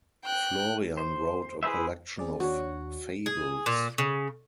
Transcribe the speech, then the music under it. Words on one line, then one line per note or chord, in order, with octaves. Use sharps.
Florian wrote a collection of fables.
G5 F#6
C5
E4 G#4 B4 C5 E5
C4 G#4 D5
D#2 D4 F#4 C#5
G#4
A#2
C#3